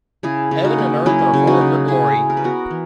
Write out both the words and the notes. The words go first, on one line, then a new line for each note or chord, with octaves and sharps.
Heaven and earth are full of your glory.
C#3 E4 G#4
C#3
D#4 F#4
A#3
F#3 C#4 E4
C#3
D#4 F#4
C#3
C#3 E4 G#4
C#3
A#4
B4
B3 F#4 A#4
E3